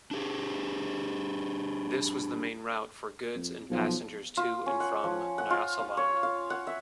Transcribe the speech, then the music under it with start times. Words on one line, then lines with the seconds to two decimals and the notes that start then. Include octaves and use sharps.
This was the main route for goods and passengers to and from Nyasaland.
0.11 D4 G4 G#4
3.35 F2
3.70 B1 F3
4.37 F4
4.66 C#4
4.80 F#5
5.04 F3
5.38 F#5
5.50 F4
5.79 F5
5.97 C#5
6.23 F5
6.50 F#5
6.67 E5